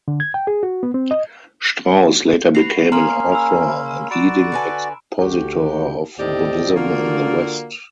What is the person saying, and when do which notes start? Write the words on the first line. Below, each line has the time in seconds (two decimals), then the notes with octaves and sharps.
Strauss later became an author and leading expositor of Buddhism in the West.
0.08 D3
0.20 G#6
0.34 G5
0.47 G#4
0.63 F#4
0.83 B3
0.94 C4
1.11 D#5
2.55 F#4 G4 B4 C7 F7
2.92 A#3 C#4 G#4 G#5 A#5 C6 F6
3.32 B5 E6
4.11 F#4 D5 B5 D7 E7
4.52 D3 B4 G#5
5.20 D2 F#4 G4
6.19 D#2 A2 C4 G4 D5 D#5
6.76 D3 A#3 F4 F#4 A#4 D5